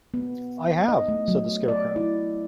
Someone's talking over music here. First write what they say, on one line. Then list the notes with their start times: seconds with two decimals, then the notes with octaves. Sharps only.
"I have," said the Scarecrow.
0.14 B3
0.88 D#5
1.08 A3
1.28 F#3
1.68 D5
1.96 E4